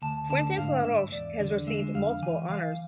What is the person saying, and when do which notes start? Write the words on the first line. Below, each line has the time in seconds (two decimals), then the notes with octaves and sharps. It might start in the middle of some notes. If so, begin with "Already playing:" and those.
Fuentes La Roche has received multiple honours.
0.02 D2 A5
0.30 D3 A5
0.58 G#2 F5
0.85 G#2 E5
1.12 E2 D5
1.40 D3
1.67 G#3 E5
1.95 F2 F5
2.22 E3 G#5
2.50 E3 F5